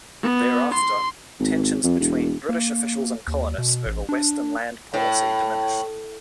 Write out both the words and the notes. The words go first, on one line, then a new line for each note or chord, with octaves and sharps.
Thereafter, tensions between British officials and colonists over western land policy diminished.
B3
C6
G#1
F2
E1
A#3
D#2
B2
A1
D4
A2